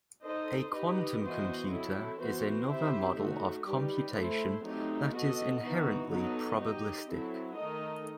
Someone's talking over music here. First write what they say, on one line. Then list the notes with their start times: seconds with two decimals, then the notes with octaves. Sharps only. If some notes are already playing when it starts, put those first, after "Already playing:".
A quantum computer is another model of computation that is inherently probabilistic.
0.23 D#4 A4 C5 D#5
0.72 D#4 G4 B4 D#5
1.21 E3 B3 F#4 C5 D#5
1.71 F#3 C4 E4 A4
2.19 E3 B3 F#4 C5
2.68 C4 E4 G4 C5 E5
3.17 A3 D#4 F#4
3.66 G3 D#4 G4 B4
4.14 A3 E4 A4 C5
4.64 F#3 A3 C4 D#4 G4
5.13 B3 F#4 A4 D#5
5.61 E3 B3 D#4 F#4
6.10 F#3 B3 D#4 A4 D#5
6.59 D#4 G4 D#5
7.09 F#3 C4 E4 A4
7.57 D#3 A3 D#4 A4 D#5